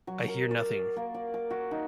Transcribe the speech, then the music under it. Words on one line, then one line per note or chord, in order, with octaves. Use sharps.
I hear nothing!
F#3
A#4
D5
A#3
D5
D6
F#4
D#4